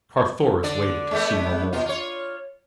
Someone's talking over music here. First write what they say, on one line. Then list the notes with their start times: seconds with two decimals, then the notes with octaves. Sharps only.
Carthoris waited to see no more.
0.63 D3 D5
1.11 G#3 A3 B3
1.73 B2 F4
1.86 F4 C#5